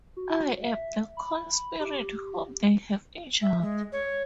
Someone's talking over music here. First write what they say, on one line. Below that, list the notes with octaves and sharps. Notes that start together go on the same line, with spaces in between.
I am the corn spirit whom they have injured.
F#4
E5
B5
G4
E5
G#3
C#5